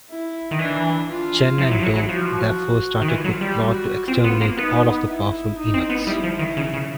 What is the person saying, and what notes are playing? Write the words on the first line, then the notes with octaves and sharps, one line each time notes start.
Chen and Dou therefore started a plot to exterminate all of the powerful eunuchs.
E4
D#3
E3 D4
F4
F3 E4
F#3
F3
F#3
F#3
F3 F#4
D#3
E3 F4
F#3
G3
F#4
C4 F4
B3
A#3
B3 D#4
E4
D#4
C4
B3
G3 E4
F3
D#3
C#3
C#3